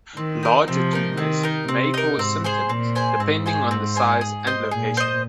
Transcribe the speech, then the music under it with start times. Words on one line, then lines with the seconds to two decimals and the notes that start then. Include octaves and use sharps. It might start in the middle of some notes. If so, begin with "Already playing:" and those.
Larger tumors may cause symptoms, depending on the size and location.
0.17 D#3 C4
0.43 D#4 A#4
0.67 C3 F3 C4
0.93 D#4 A#4
1.17 D#3 C4
1.43 D#4 A#4
1.68 C3 C4
1.94 D#4 A#4
2.19 G#2 C4
2.44 G#4 C5 G#5
2.69 A#2 C4
2.95 G#4 C5 G#5
3.20 G#2 C4
3.46 G#4 C5 G#5
3.71 C4
3.96 G#4 C5 G#5
4.21 G#4
4.47 C5 D#5
4.71 A#2 G#4
4.97 C5 D#5